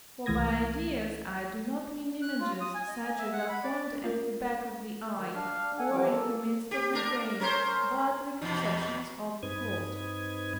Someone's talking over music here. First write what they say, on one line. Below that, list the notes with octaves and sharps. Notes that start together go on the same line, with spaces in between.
For by ideas I do not mean images such as are formed at the back of the eye, or in the midst of the brain, but the conceptions of thought.
C2 E3 A3 D#6 G#6 A#6
F#6
F4
D#6
G#5
D#5
G#5
E5
F#5
B5
D5
C#4 F4 A#4
D#3
D4 F5 F6
A4 F#5 G#5
E3 F3 G3 D6
A#3 A4
G4
D4 A#4
C#4 A#4 C5
E2 B2
G2 C4 D#4 B4 D#6 G#6